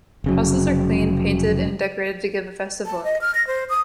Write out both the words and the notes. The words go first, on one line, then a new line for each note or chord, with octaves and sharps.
Houses are cleaned, painted and decorated to give a festive look.
F1 C#3 F#3
A5
D#5
F6
A#6
C5
D#6